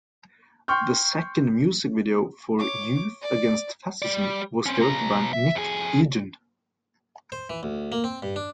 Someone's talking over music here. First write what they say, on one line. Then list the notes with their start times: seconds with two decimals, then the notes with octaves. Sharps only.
The second music video, for "Youth Against Fascism", was directed by Nick Egan.
0.68 G5 C6 C#6 F6 G6
2.59 C#5 D6
3.22 D5
4.02 G3 D5
4.66 C4 C#4
4.81 B2 A#5
5.33 E5
5.55 F2 G#4
7.32 C5
7.50 E3
7.63 D2
7.92 A#3
8.04 C4
8.22 G2
8.36 D4